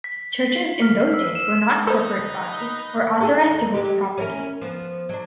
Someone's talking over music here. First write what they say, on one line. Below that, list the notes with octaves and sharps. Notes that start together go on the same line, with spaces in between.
Churches in those days were not corporate bodies or authorized to hold property.
B6
C7
F6
E6
E7
D#4 A4 B4 C5 D#6
E4 G#4 A4
E2
F#3 G4
C#4 E4 A#4
F3 B3
F#3 D4